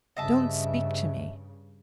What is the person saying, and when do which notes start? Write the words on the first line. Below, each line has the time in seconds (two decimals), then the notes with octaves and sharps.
Don't speak to me.
0.17 G2 C#3 D#5 E5 A5